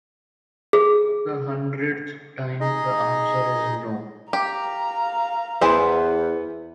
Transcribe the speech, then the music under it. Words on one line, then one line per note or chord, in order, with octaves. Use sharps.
For the hundredth time, the answer is no.
G#4
D#4 G#4 D#5
G4 F5 A#5
E2 B3 E4 G#4 C5 E5